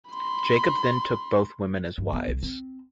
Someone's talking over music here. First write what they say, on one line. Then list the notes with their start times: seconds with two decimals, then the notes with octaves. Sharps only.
Jacob then took both women as wives.
0.10 B5 C6
1.98 G2
2.13 B3
2.28 C2
2.43 C4